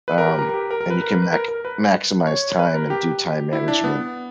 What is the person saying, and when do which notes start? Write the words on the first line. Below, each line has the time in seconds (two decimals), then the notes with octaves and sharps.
um, and you can mac maximize time and do time management
0.08 B4
0.18 A#4
0.28 G4
0.39 A#4
0.49 A#4
0.54 G4
0.71 A#4
0.81 A#4
0.90 B4
1.01 A#4
1.11 B4
1.22 B4
1.33 A#4
1.48 A#4
1.65 B4
2.27 C#5
2.59 B4
2.75 A#4
2.90 G4
3.53 E4
3.68 D4
3.84 B3